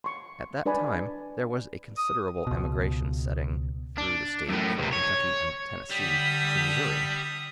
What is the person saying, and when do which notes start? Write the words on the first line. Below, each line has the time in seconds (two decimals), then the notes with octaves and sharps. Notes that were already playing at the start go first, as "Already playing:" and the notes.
At that time there was a considerable emigration setting through the State from Kentucky and Tennessee to Missouri.
0.04 C6 C#6
0.66 D4 B4 D5 G#5 B5
1.97 D#6
2.47 C#2 B2
3.98 D4
4.49 F#2 A2
4.79 C#2 C3
4.93 C#5
5.91 D3 G3 E5 D#6 B6